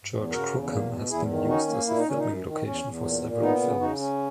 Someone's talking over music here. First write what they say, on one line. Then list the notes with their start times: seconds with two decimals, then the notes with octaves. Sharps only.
Church Crookham has been used as a filming location for several films.
0.13 E2
0.32 C#3 F#4 A#4
0.51 E2
0.71 A#3
0.91 B2
1.09 E2 E4 G#4
1.29 D#3
1.48 C#4 D#4 F#4
1.68 A#3
1.87 A#2 E4
1.97 D#4
2.07 A#2 C#4
2.18 D#4
2.25 F#2
2.45 D#3
2.64 E2 C#4
2.84 E2
3.04 A#2
3.22 A#2
3.41 B3 D#4
3.62 C#3
3.80 C#3 D#4 F#4
3.99 C#4